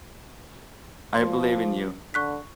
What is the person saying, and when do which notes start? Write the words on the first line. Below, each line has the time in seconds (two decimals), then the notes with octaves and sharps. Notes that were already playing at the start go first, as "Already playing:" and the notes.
I believe in you.
1.14 F3 C6
2.14 D3 C#6 F#6 B6